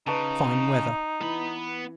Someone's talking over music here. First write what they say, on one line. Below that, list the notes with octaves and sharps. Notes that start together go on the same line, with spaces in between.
Fine weather.
C#3 D#4 B4 A5 C#6
E3 B3 B5